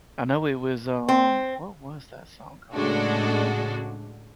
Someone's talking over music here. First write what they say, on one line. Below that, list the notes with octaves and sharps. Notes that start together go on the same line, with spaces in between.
I know it was, um What was that song called?
C4
A2 C#3 G#3 D4 F#4 A4